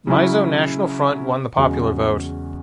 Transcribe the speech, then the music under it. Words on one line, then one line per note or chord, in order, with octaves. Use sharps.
Mizo National Front won the popular vote.
C#3 F#3 C#4 E4
E2 C#3 G#3 C#4 F#4